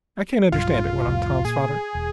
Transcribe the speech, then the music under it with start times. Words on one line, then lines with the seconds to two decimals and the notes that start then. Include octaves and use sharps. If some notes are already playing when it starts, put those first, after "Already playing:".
"I can't understand it," went on Tom's father.
0.52 B1 G2 F#3 F4
1.06 C2 F2 A2
1.45 A#2 G#4
1.95 E1